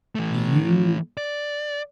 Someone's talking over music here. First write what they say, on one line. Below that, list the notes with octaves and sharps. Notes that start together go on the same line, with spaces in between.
Do you
E3 A3
D5